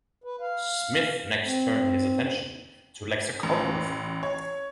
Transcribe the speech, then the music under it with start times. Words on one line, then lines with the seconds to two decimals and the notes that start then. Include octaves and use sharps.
Smith next turned his attention to lexicography.
0.24 B4
0.41 F5
1.45 C4
3.43 A1
4.23 C#5